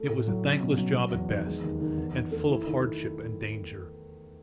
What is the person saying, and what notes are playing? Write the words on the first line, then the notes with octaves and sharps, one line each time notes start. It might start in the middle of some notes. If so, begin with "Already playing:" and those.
It was a thankless job at best, and full of hardship and danger.
Already playing: A3
A2
F#3
C#4
B2
F#3
F#3
E2
D#3
G#3
D#2
D#3
E2
D#3
A3
E4
D#3